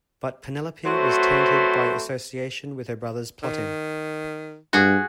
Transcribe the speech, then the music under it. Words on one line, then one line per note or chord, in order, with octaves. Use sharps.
But Penelope was tainted by association with her brother's plotting.
F#3 A3 C4 F#4 B4 C5
D#3
G2 F#4 G#4